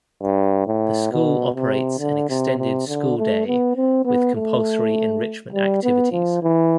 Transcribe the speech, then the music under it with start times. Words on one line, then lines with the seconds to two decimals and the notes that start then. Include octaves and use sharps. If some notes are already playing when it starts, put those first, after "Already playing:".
The school operates an extended school day with compulsory enrichment activities.
0.23 G2
0.67 A2
1.12 B2
1.55 C3
1.99 D3
2.29 C3
2.58 C3
2.88 D3
3.18 A3
3.46 B3
3.76 C4
4.05 B3
4.36 A3
5.53 G3
5.83 B3
6.12 F3
6.42 E3